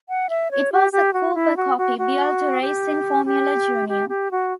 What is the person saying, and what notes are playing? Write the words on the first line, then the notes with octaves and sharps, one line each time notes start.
It was a 'Cooper Copy' built to race in Formula Junior.
F#5
E5
C#5
G4
G4
F#4
E4
F#4
F#4
F#4
G4
G4
G4
G4
F#4